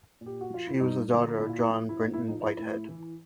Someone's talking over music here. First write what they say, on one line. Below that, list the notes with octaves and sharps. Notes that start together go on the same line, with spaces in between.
She was the daughter of John Brinton Whitehead.
A#2
G4
F#4
F3 F4
E4
G2 D#4
D3 F3
A#2 E4
F4
E4
F3
E4
A2 D#4
E4
F3 D#4
E4
A2 E4
E3